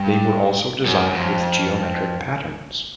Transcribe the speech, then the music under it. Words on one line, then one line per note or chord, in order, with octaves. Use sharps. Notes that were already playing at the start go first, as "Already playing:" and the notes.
They were also designed with geometric patterns.
Already playing: G2
F#2
F2